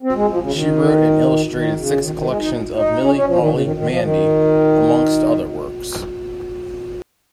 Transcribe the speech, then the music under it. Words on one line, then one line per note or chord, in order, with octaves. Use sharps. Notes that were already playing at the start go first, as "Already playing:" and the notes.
She wrote and illustrated six collections of "Milly-Molly-Mandy", amongst other works.
C4
G#3
F3
C#3
D#3
D#3
C#3
D#3
D#3
G#3
D#4
D#4
C#4
C#4
F3
D#3
C#3
D#3
D#3
F3
D#3